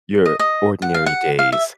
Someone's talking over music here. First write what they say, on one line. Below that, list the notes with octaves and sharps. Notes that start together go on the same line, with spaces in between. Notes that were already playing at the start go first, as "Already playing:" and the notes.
your ordinary days
D#5
D#5
F#5
F5
F#5
F5
E5